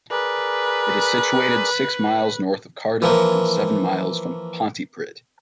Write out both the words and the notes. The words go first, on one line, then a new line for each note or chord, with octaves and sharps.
It is situated six miles north of Cardiff and seven miles from Pontypridd.
G#4 A#4 B4 D5
E3 F3 A#3